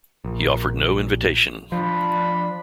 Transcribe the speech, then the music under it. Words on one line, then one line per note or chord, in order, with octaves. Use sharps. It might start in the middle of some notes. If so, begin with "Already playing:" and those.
He offered no invitation.
A#1
F3 D4 B5